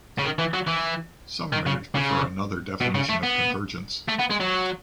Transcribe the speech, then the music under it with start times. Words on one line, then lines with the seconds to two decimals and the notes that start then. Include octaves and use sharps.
Some writers prefer another definition of convergence.
0.19 C#3
0.24 D#3
0.39 E3
0.53 F#3
0.67 E3
1.53 D#3
1.67 C#3
1.95 C#3
2.81 B2
2.95 C#3
3.09 A3
3.23 B3
4.09 A3
4.19 B3
4.31 G#3
4.41 F#3